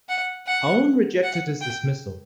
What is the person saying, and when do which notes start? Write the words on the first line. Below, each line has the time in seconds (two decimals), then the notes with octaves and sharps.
Aoun rejected his dismissal.
0.09 F#5
0.47 F#5
1.23 F#5
1.61 G5